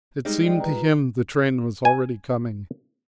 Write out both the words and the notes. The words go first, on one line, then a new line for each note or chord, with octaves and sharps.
It seemed to him the train was already coming.
G3 G#3 D#4
D5 D#5 G5
F4 B4 A#5
G#5